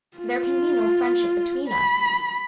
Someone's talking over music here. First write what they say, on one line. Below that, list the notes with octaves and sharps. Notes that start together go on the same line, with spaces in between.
There can be no friendship between us.
F4
B5